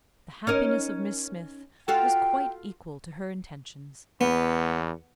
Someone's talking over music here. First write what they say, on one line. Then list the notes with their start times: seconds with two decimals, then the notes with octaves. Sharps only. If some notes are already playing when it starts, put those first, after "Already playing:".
The happiness of Miss Smith was quite equal to her intentions.
0.47 C#4 D#4 A#4
1.88 F4 F#4 A4 G5
4.21 E2 B3